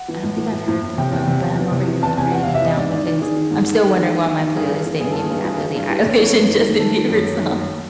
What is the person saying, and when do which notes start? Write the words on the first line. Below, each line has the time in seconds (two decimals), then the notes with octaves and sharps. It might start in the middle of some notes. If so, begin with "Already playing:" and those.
I don't think I've heard that one, but I'm over here, like, writing it down, because I'm still wondering why my playlist didn't give me that Billie Eilish and Justin Bieber song.
Already playing: F#5
0.08 E3
0.23 A2
0.38 E3
0.52 A2
0.68 A2
0.83 A2
0.98 C3 G5
1.12 E2
1.27 C3
1.43 E2
1.58 E3
1.72 C3
1.88 E3
2.02 E2 A5
2.17 C3 G#5
2.31 E2 F#5
2.43 F5
2.47 C3
2.55 E5
2.61 E2 D#5
2.76 G#2 D5
2.91 D#3 D5
3.06 D#3 D5
3.22 D#3 G#4
3.36 D#3
3.51 G#2
3.66 D#3
3.81 D#3
3.96 D#3
4.11 D#3
4.26 D#3
4.41 D#3
4.55 G2 G#4
4.70 E3
4.86 E3
5.00 G2 G#4
5.11 G2 A4
5.22 G#4
5.30 G2
5.44 E3 G#4
5.61 E3
5.75 G2
5.90 E3 G4
6.00 C#5
6.05 G2
6.12 D5
6.20 E3 C#5
6.34 F#2 B4
6.49 D#3
6.64 D#3
6.79 D#3 A4
6.94 D#3
7.09 F#2
7.25 F#2
7.39 D#3
7.54 F#2